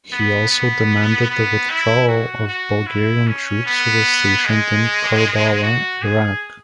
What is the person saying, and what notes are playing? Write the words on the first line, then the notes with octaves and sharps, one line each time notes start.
He also demanded the withdrawal of Bulgarian troops who were stationed in Karbala, Iraq.
B3
B3
B3
E4
F#4
F#4
E4
C#4
B3
G#3
F#4
G#4